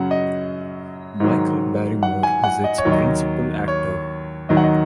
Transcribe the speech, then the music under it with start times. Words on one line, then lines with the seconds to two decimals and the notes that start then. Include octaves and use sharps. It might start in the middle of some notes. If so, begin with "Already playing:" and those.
Michael Barrymore is its principal actor.
Already playing: F#2 C#3 F#3 F#5
0.11 D#5
1.20 G#2 D#3 F#3
2.03 F#5
2.23 G#5
2.44 F#5
2.64 D#5
2.78 C#5
2.85 D#2 D#3 F#3
2.92 D#5
3.68 C#5
4.49 D#2 D#3 F#3 D#5
4.57 F#5
4.64 D#5